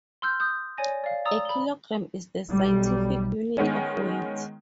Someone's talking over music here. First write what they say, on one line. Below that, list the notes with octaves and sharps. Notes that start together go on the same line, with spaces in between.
A kilogram is the scientific unit of weight.
C6 E6 F6 G6
D#6 G6
C#5 D5 G#5 A#6
D5 F5
D5 A#5 D#6 E6
B5 G7
B1 G3
D#3 G#3 B3 C#4